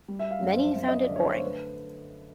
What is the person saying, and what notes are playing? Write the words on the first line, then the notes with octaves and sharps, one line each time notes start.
Many found it boring.
G3
E5
F5
F#2
C5
F#2
D#5
D5
D3
C#5
C5
A3 B4